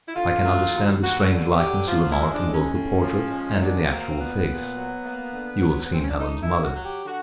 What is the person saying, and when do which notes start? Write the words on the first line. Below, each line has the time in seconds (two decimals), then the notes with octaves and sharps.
I can understand the strange likeness you remarked in both the portrait and in the actual face; you have seen Helen's mother.
0.08 E4
0.15 D3 F4
0.44 F#3
0.72 D#2
1.01 D#2 F#4
1.30 D3
1.59 F#3 G4
1.87 F3 F4
2.09 E4
2.16 G#3
2.31 D4
2.45 A2
2.52 C#4
2.74 A2
3.02 F3
3.31 G#3
3.53 D#4
3.60 F#3 D4
3.89 A#3 C4
4.10 C4
4.18 A#2 B3
4.46 A#2
4.76 F#3
5.04 A#3
5.32 D3
5.61 F#3
5.84 B3
5.90 F#2 C4
6.01 C#4
6.10 D4
6.19 A3 D#4
6.40 E4
6.48 D3
6.62 F#4
6.76 F#3
6.83 G4
7.05 D3 F#4